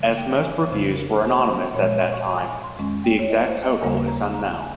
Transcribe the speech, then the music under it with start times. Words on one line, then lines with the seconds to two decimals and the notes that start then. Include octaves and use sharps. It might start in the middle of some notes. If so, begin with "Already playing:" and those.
As most reviews were anonymous at that time, the exact total is unknown.
Already playing: C#3 F3 G#3
0.18 G5
0.43 G#5
0.57 C#5
0.69 F2 C#3 F3 C5
0.95 A#4
1.22 C5
1.48 C5
1.74 A#2 F3 G#3 C#5
1.86 C#5
1.99 C6
2.13 C#6
2.26 A#5
2.39 G#5
2.51 G#5
2.64 C6
2.77 F2 D#3 G#3 C#4
3.04 G5
3.19 C#5
3.30 D#5
3.48 C5
3.64 D#5
3.81 D#2 C#3 G3 A#3 G#5
4.07 A#5
4.34 A#5
4.61 G#5